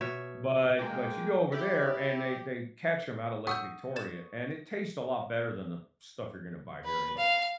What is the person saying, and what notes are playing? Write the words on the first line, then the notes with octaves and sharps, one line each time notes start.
But but you go over there and they they catch 'em outta Lake Victoria and it tastes a lot better than the stuff you're gonna buy here anyway.
B2 C#5 E5
G#3 A#3 G5
E4 G4 D5
F#5 C#6 D#6 E6 G6
D5 A6 E7
B4
F5